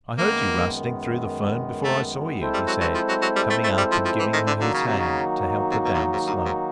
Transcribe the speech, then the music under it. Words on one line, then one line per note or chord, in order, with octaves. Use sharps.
"I heard you rustling through the fern before I saw you," he said, coming up and giving her his hand to help her down the slope.
F#2 D#3 G#3 A#3 B3
A3
G#3 C4 E4 A4 C5
G3
F#3
F#3
F3
F#3
F#3
G3
A3
A3
G3
F3
F3
E3
D#3
D3
D3 D#3 F#3 A#3 D#4 F#4
C#3
C3
C#3
C3
B2
A#2
A2
G#2
G2
G#2